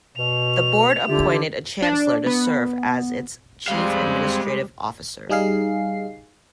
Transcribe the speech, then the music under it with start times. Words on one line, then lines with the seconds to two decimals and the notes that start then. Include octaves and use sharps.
The Board appointed a Chancellor to serve as its chief administrative officer.
0.18 B2 F7
1.09 D3 E4 F4 G4
1.82 D4
2.26 B3
3.68 G3 G#3 C4 F5
5.29 G3 D#4 G#4 F5 C7